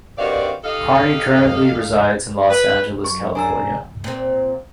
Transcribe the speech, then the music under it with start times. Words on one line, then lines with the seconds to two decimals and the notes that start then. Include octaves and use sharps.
Carney currently resides in Los Angeles, California.
0.18 G2 D#3 C4 F#4 D5 F5
0.64 D#4 G4 A4 D#5 F5
2.50 B4
3.04 F#2 C#6
3.35 D4 G#4 D5 G#5 A#5 E6
4.04 A#2 C4